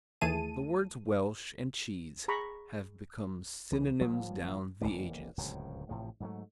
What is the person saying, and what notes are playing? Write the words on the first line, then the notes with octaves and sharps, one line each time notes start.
The words Welsh and cheese have become synonyms down the ages.
D#2 E3 A3 G#4 A5 D#7
G#4 A#5 B5 C#6
C2 E3
D1 F3 G3 A#3
F1 F#2 E3 A#3
D1 C#2 F#2 C#3
A1 A2 C3 F3
G#2 F#3 A3